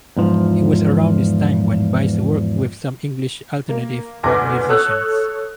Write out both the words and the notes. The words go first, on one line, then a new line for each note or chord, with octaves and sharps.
It was around this time when Bice worked with some English alternative rock musicians.
E2 G#2 F3
A#3
F#1 D2 B4 G#5 D6 A#6
A4 C#5 D#6 E6 F#6